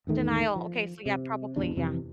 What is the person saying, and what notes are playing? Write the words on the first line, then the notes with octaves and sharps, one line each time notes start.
Denial. Okay, so, yeah, probably, yeah.
A1 E2 D#3 A3
F3
C3
D1 E2 G3 D4
F2 C3 E3